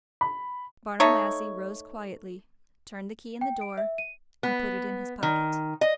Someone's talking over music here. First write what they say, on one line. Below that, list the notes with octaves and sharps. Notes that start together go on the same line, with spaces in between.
Bartle Massey rose quietly, turned the key in the door, and put it in his pocket.
B5
A3 D#4 C#5
G5
D7
E5
D#7
B3
D#3
D#5